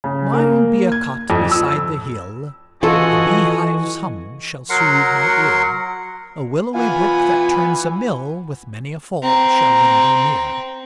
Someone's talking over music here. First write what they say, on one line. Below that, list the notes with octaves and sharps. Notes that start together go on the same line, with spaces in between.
Mine be a cot beside the hill; A bee-hive's hum shall sooth my ear; A willowy brook that turns a mill, With many a fall shall linger near.
C#3
A#3
G#6
F2
E6
E3 F4 F#4 A4 D#5 G#5
F#3 A#4 F#5 C6
E3 F4 F#5 G#5 B5
C4 A#5